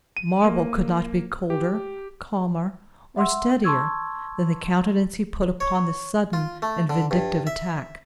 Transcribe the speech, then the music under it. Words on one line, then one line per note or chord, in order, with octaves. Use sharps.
Marble could not be colder, calmer, or steadier than the countenance he put upon this sudden and vindictive attack.
D#7
A#3
G4
E5 F#5 C6 E6
A5 C6 C#6 E6 G#6
C#5
F4
A3
D3
G2
E5